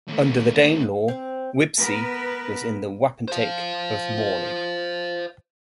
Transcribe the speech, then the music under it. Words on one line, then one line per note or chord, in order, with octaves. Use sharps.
Under the Danelaw Wibsey was in the wapentake of Morley.
D#2 A3
C4
B3 A#4 B4
C5 F5